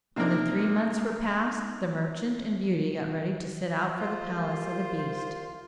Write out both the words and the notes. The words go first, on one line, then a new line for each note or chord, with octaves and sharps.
When the three months were past, the merchant and Beauty got ready to set out for the palace of the beast.
C3 A#3 D4 D#4 A#4
F4 C5
C2